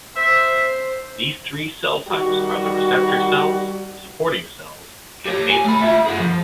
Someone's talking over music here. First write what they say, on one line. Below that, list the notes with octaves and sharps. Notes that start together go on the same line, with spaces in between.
These three cell types are the receptor cells, supporting cells and basal cells.
C5 E5
D#3 G3 F#4
G4 C#5
G#5
A3 B5
F4 E5
G#4 F#5
F3